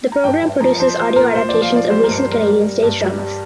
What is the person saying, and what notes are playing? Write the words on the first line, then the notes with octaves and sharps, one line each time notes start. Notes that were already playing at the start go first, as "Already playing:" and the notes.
The program produces audio adaptations of recent Canadian stage dramas.
A#5
G2 G5
G2
F3 A#5
F3 C5
F3 C5
A#2 A#4
A#2 C5
D5
F3
F5
F3 D5
G3 C5
A#4
G2
C5
G3 A#4
G3
G3
G2
G3
G3